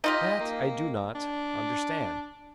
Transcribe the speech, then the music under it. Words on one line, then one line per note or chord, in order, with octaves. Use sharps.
That I do not... understand.
D#4 F4 G4 D#5
A#3
D4